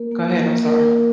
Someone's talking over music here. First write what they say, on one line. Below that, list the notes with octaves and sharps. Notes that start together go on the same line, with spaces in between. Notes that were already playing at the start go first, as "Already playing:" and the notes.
go ahead, I'm sorry.
Already playing: A#3 A#4
A#3
A#3
A#3
A#4
A#4